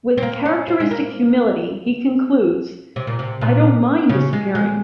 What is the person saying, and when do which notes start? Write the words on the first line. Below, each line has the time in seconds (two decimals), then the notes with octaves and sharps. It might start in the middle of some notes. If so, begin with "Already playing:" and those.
With characteristic humility, he concludes, I don't mind disappearing!
0.18 C4
0.23 A#3
0.45 C#4
0.68 C4
0.80 G#3
0.91 A#3
2.96 C3
3.07 A#2
3.19 C3
3.41 A#2
4.09 C#3
4.33 G#3
4.55 G#3